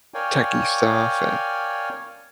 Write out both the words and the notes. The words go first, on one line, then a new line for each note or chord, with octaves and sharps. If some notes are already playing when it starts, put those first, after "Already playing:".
techy stuff and
A#4 C#5 D5 F5 G5 G#5